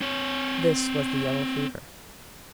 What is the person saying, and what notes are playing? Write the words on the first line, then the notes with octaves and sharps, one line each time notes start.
This was the Yellow Fever.
C4 C#5